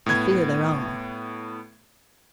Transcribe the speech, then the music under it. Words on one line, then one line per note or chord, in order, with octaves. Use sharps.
I fear there are.
A2 B3 G#6